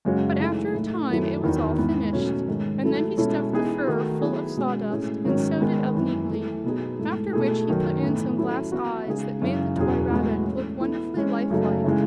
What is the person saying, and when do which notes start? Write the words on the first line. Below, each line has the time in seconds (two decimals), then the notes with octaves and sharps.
But after a time it was all finished, and then he stuffed the fur full of sawdust and sewed it up neatly; after which he put in some glass eyes that made the toy rabbit look wonderfully life-like.
0.05 F#2 C#3 G#3 C#4 F#4
0.40 E3 A3 D#4 G#4
0.74 A2 E3 A3 E4 A4
1.09 F#2 D#3 F#3 A3 E4
1.43 E2 D#3 F#3 B3 D#4
1.78 G#2 E3 B3
2.13 B2 F#3 A3 C#4
2.48 G#2 D#3 G#3 C#4
2.83 F#3 A3 E4 A4
3.17 B2 G#3 C#4 E4 A4
3.52 E3 B3 D#4 G#4
3.87 D#3 A3 D#4 F#4
4.21 F#3 B3 E4 G#4
4.57 B2 G#3 C#4 F#4
4.90 A2 G#3 C#4 G#4
5.25 G#2 D#3 F#3 C#4
5.61 D#3 G#3 B3
5.94 F#2 E3 B3
6.30 E3 A3 E4
6.64 B2 F#3 B3 D#4 G#4
6.99 G#2 E3 A3
7.33 B2 A3 E4 G#4
7.68 F#2 D#3 F#3
8.03 A2 E3 B3
8.38 F#3 C#4 E4 A4
8.72 E3 B3 F#4
9.06 C#3 G#3 D#4 G#4
9.42 F#2 C#3 E3
9.76 E2 B2 F#3 C#4 G#4
10.10 A2 E3 G#3 B3 F#4
10.45 E3 A3 C#4
10.80 E3 B3 E4 A4
11.14 E3 G#3 C#4
11.50 F#2 C#3 F#3 A3 D#4
11.85 C#3 E3 G#3